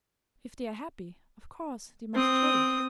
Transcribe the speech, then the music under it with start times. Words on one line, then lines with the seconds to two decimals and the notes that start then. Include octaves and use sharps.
If they are happy, of course they must show it.
2.14 C4 D#6